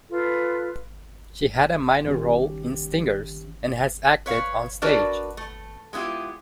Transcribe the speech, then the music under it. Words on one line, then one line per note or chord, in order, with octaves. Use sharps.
She had a minor role in "Stingers" and has acted on stage.
F4 A4 B4
D#3 C#4 G4
B4 C#5 F5
D4 F#4 A#4 B4 D5 A5
A3
G#3 B3 E4 F4 G4